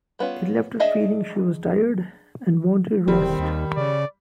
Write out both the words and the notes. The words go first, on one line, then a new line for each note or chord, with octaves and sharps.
It left her feeling she was tired, and wanted rest.
G3 B3 C#4 F4
D4 G#4 D#5 E5 A5
E1 D#3 G3 C4
D#2
C#3 D5